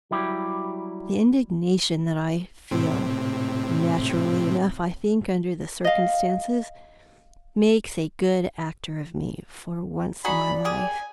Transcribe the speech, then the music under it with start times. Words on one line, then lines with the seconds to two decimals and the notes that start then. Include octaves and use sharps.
The indignation that I feel--naturally enough, I think, under the circumstances--makes a good actor of me for once in my life.
0.11 F#3 G3 E4 G4
2.71 A2 C3 C4
5.84 D#5 F5
10.25 D#4 F#4 G#4 D5 B5
10.65 A#3 G4 G#4 G#5